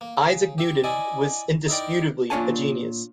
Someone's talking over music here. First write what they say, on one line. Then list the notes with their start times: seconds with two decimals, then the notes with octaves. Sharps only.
Isaac Newton was indisputably a genius.
0.01 A#3
0.17 C#3
0.58 G4 E5
0.84 E4 D5 D#5 G#5
1.68 D#4 E4 A#4 D5 G5
2.30 A#2 C#4 D4 C#5 G#5 A5